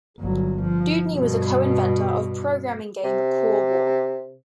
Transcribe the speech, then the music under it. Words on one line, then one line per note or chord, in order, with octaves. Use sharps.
Dewdney was a co-inventor of programming game "Core War".
G1 F#3
F3
G2 B2
C3